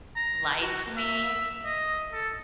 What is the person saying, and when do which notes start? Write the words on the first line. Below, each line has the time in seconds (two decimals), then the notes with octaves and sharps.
lied to me.
0.16 A#5
0.60 F#4
0.97 E5
1.65 D#5
2.13 A4